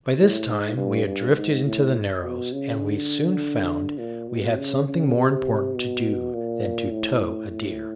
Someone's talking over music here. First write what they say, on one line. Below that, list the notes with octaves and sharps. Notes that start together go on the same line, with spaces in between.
By this time we had drifted into the Narrows, and we soon found we had something more important to do than to tow a deer.
A2
G#2
G2
G2
G#2
A2
B2
C#3
D3
A#2
B2
C#3
C#3
C3
B2
A#2
A2
A2